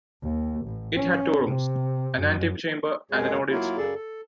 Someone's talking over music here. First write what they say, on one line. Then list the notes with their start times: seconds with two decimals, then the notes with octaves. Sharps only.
It had two rooms: an antechamber and an audience room.
0.22 D#2
0.66 A1
0.96 C#4
1.47 C3
2.18 F#2
3.11 F#2 B2 G#3 G#4 C#5
3.51 F#3 A#3 E4 F4
3.77 F#2 C#3 G#4 A4 D5
3.95 A4